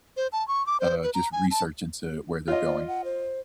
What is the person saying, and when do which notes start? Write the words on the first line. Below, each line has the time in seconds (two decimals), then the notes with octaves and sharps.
uh, just research into where they're going.
0.17 C5
0.33 A5
0.48 C#6
0.67 D6
0.80 C5
1.03 B4
1.14 A#5
1.32 G#5
1.51 A5
2.48 F4 C#5 D#5
2.65 D5
2.88 F#5
3.05 C5